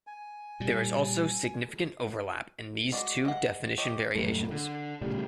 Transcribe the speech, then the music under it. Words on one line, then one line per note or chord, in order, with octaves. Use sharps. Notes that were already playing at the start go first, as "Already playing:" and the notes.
There is also significant overlap in these two definition variations.
G#5
A#2 G3
G#3 F#4 D5
G#3 F#5
G4 C#5 D#5
D#1 F#2 A3
D3
A#1 A2 C#3 G3